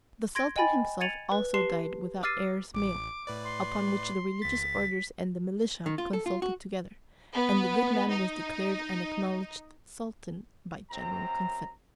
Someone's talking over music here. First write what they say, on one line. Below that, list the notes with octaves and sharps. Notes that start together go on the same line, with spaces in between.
The sultan himself also died without heirs male; upon which the religious orders and the militia consulted together, and the good man was declared and acknowledged sultan by general consent.
C6 G#6 A#6 D7
D#5 G5 G#5 B5 A6
G#6 A6 C#7 D#7 F7 F#7
B4
G4 B4 A5 C6 C7 E7
D6 E6 F6 A6 C7 D#7
A1 D6
A2 B4 D5
C6
C#2 A6 B6
D#3
F4
A4
F4
F#4
B3
D#4
F#2 C4 A#5